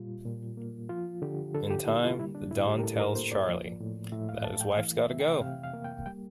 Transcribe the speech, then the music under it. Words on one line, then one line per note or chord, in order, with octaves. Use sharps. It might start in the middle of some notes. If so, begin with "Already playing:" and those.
In time, the don tells Charley that his wife's gotta go.
Already playing: A#2 G3 F4
A#2
A#3
F3 F4
D3 G4
D3 A4
G4
A#3 E4
F4
G3 E4
D4
A2 E4
G4
A#4
A2 A4
A#4
A#3 C5
D5
F3
A2
A2 E5
F5
A3 A5
G5
E3 F5
E5
C3
G5
C3 F5
F5
A#3
G5
G3 G5